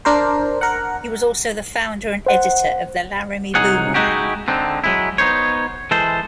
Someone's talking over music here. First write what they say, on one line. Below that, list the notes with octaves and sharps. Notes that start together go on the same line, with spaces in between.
He was also the founder and editor of the "Laramie Boomerang".
D4 A#4 C5
A#4 F#5
C5 F#5
C2 F#3 D#4 G#4 F#5
G#3 A3 D#4 E4 F#4 G4
D3 C4 D#4
F#3 G#3 E4
B3 D#4 C5 C#5
E3 G#3 A4 C5